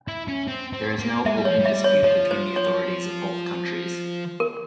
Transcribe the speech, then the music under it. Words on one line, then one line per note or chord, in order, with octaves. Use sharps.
There is no open dispute between the authorities of both countries.
E4
C#4
C4
C4
A#3
G#3 E5
G3
F3 C#5
G3
E5
C#5
F3 C#5
C5
C#5
A#4